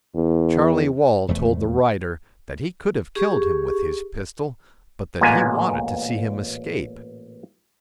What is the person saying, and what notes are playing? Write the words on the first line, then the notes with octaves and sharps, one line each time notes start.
Charlie Wall told the writer that he could have killed him with his pistol, but that he wanted to see him escape.
E2
F1 E2 A3
G4 G#4 C#6
A1 A#2 G#3 A#3 B3 G#5